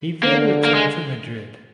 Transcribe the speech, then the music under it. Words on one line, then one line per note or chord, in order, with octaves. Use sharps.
He then returned to Madrid.
D3 A#3
A#3
G#3